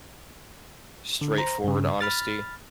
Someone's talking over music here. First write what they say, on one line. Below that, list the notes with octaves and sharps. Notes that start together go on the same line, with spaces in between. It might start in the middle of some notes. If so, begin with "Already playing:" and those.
straightforward honesty
D3
C5 A#5
G2 C#3
B5 F6 A6